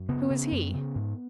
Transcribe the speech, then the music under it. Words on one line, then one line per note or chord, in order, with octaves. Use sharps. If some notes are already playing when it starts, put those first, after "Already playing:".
"Who is he?"
Already playing: F#2
C#3 B3
C#3
F#2
C#3
G#2